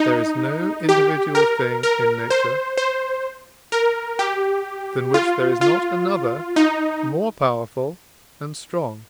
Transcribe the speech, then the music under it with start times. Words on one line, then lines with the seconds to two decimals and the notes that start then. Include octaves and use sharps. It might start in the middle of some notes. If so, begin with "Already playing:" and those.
There is no individual thing in nature, than which there is not another more powerful and strong.
Already playing: D#4
0.89 G4
1.35 A#4
1.83 A#4
2.30 C5
2.77 C5
3.72 A#4
4.19 G4
5.14 F4
5.61 F4
6.56 D#4